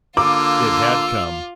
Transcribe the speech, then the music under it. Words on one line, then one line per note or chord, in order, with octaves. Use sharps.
It had come!
D3 A#3 F4 D6 E6